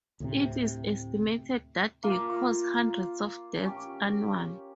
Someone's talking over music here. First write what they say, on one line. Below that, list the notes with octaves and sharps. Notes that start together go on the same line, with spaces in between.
It is estimated that they cause hundreds of deaths annually.
D2 A2 C3
A#3 F4 A#4
C#4 G4